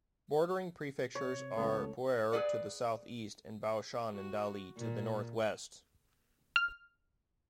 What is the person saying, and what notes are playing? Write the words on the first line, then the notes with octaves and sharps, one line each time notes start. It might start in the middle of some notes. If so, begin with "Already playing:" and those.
Bordering prefectures are Pu'er to the southeast, and Baoshan and Dali to the northwest.
C3 C#5
C#2 A3 B3 A4
G#4 A4 B4 D5 F#5
F#4
A#2
F6